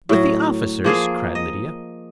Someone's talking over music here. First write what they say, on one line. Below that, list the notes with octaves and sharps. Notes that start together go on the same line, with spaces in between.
"With the officers!" cried Lydia.
A2 F#3
F3 A#3 G#4 F5
D#5